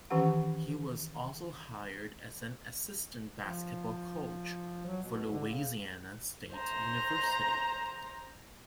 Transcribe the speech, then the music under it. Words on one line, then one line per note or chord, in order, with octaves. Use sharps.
He was also hired as an assistant basketball coach for Louisiana State University.
D#3 E3 C#4 G4 F#5 A#5
F3
F#3
B2
D3
C#3
C5 A#5